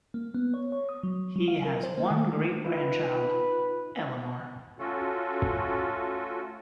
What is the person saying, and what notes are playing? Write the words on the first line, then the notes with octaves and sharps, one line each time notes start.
He has one great grandchild—Eleanor.
A#3
B3
C#5
C#5
D#6
F#3
F#3
F5
A#4
C5
A#3
D#3
D#4 F4 B4
A3 C#4 F4 F#4 A4